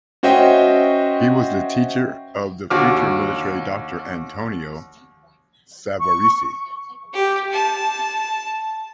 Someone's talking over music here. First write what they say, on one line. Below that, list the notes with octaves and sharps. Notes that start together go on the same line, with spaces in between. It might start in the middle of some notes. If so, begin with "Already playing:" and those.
He was the teacher of the future military doctor Antonio Savaresi.
C#4 F#4 C5 D#5 E5 G5
D#2 D3 F#4 D6 F6
C#6
G4
A5